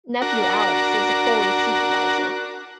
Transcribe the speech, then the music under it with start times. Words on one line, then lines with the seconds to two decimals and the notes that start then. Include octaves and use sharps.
Nephew Alex is a foley supervisor.
0.22 D4 F#4 A#4